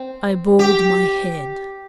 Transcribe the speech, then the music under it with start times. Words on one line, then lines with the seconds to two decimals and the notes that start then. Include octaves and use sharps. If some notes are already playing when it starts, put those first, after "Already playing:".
I bowed my head.
Already playing: C4
0.59 G4